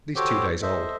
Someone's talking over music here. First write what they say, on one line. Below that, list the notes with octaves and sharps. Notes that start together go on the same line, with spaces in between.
It was at least two days old.
F#4 G4 A4 C5 C#5 D6
A4 C5 D#5 E5